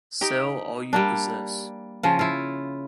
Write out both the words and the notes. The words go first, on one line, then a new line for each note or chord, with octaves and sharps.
Sell all you possess.
D#4 G4 G5
G3 A#3 D4
C#3 F3 F4
E4 F4